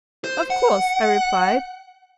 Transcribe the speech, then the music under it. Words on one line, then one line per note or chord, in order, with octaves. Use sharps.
'Of course,' I replied.
C5
F#5